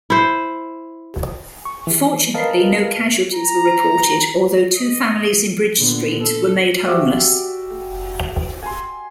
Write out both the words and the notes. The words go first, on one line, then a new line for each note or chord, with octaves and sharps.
Fortunately no casualties were reported although two families in Bridge street were made homeless.
E4 C5
C#6
E3
A#4 B4 D#5 F5 A5
A#5
D#5
A#2 D3 B3
A4
F#4 G4 D5 E5
G#5 C6